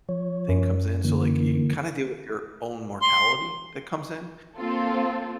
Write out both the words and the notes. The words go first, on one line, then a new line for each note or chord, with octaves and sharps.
thing comes in, so, like, you kinda deal with your own mortality that comes in,
F3 C#5
F#2
D3 E3 A#3
C6
A#3 C4 F4 A4